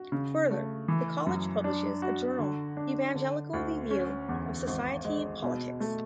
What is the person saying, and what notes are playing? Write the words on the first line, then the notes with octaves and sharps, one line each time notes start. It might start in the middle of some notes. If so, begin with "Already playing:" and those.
Further, the college publishes a journal Evangelical Review of Society and Politics.
Already playing: F#4
C#3
A3
E3
F#2
D4
F#4
D3
D4
D3
D2
C#4
E2
G#1
G#3
B2
A3